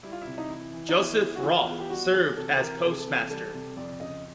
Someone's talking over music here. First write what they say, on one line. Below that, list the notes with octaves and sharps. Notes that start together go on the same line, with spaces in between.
Joseph Roff served as postmaster.
G3 E4
F4
C3 E4
D#4
E3 E4
E3
D#4
B3 E4
E3
F#4
E3 F4
B3 G#4
G4
G3 F#4
E3 G#4
C3 A4
E3 A#4
C3 A4
G#4
A4
E3
G3 A4
C3
F2 D5
C#3 D#5